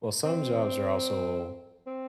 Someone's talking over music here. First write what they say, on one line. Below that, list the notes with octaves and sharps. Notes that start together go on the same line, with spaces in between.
well, some jobs are also
C4
C4